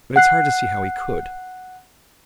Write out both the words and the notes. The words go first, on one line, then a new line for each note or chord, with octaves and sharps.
But it's hard to see how he could.
F#5 F#6 C7